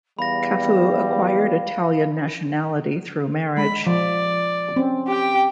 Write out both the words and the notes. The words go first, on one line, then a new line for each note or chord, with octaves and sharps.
Cafu acquired Italian nationality through marriage.
E2 G3 F5 B5 A#6
G#3 B5
F3 D5
C4 C#4
G4 G5